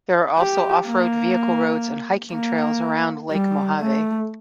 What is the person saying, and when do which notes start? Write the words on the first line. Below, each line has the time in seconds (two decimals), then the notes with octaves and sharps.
There are also off-road vehicle roads and hiking trails around Lake Mohave.
0.38 G4
0.87 A#3
2.34 A#3
3.32 G3
3.80 A3